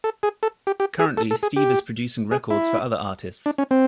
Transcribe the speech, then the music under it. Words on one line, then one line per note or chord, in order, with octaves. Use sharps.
Currently Steve is producing records for other artists.
A4
G#4
A4
G4
G4
G#4
A4
A4
G#4
G4
G#4
E4
D4
C#4
C4